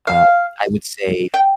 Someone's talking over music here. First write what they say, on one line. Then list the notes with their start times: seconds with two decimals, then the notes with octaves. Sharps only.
uh, I would say
0.07 F5
1.34 G5